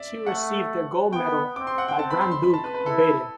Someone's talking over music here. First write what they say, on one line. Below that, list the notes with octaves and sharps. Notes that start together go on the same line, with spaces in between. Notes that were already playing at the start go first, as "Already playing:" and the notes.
She received a gold medal by the Grand Duke of Baden.
Already playing: D5 E5
A3 F#5
B3 G5
C4 D6
C6
F#5
G5
C4 A5
B5
C6
C6
B5
A5
B4
B4
E4 A4